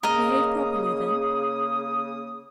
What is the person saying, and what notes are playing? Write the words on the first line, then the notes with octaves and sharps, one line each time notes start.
'Behave properly, then.'
C#3 A#3 A#4 D#5 D#6